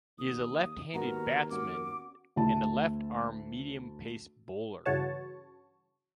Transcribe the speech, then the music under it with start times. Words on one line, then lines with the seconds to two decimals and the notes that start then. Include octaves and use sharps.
He is a left-handed batsman and a left-arm medium-pace bowler.
0.19 D#2 D#6
0.94 D#2 D#3 B3 F#4 A#4 A#5
1.50 C#4 F#4 D5 D6
2.36 D2 E4 A5
4.86 G2 C#3 E3 F#4 C#5 A5